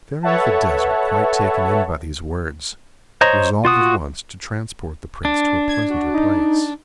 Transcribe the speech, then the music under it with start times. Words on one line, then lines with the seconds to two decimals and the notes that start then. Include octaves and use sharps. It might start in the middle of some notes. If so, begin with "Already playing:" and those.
The Fairy of the Desert, quite taken in by these words, resolved at once to transport the Prince to a pleasanter place.
0.23 A4 B4 C#5 E5 F#5 A5
3.21 C5 C#5 D#5 A#5
3.65 F4 F#4 D#6
5.25 D4
5.69 G#6
5.90 F#4
6.14 D#4